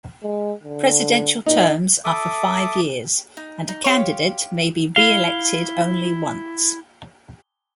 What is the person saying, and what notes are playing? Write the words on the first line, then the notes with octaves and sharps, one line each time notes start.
Presidential terms are for five years, and a candidate may be re-elected only once.
G#3
D3
A#2 D#4
A4 E5 D6 D#6
D#4
D#4
G4 C#5 F5 C6
E4 F5 G7